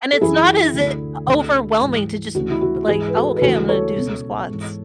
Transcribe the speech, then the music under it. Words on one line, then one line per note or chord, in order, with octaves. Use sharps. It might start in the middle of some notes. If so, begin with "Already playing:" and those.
And it's not as i overwhelming to jus, eh, b like, "Oh, okay I'm gonna do some squats
A4
F#2 E3 E4 G#4
D2 D3
D2 D3
G#2 E3
D2 C#3 E3 F#4
E4
F#4
G#2 E3 E4 G#4
B4
F#4 A4
B4
D2 C#3 E3 F#4 A4
A4 C#5
C#2 B2
G#2 E3